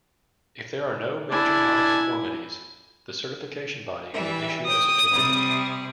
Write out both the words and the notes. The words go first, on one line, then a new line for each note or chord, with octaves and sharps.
If there are no major nonconformities, the certification body will issue a certificate.
D4 E4 G#5
E3 G3 E5
C#5 G5 D#6
C3 G3